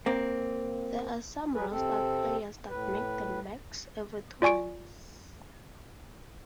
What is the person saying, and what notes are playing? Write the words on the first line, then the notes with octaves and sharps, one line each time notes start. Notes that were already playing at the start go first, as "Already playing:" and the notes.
There are some rostered players that make the max every two months.
A#3 C4
F#3 G#4 B4
C3 C4 A4
A2 B4
F4 D5 G#5 C#6 D7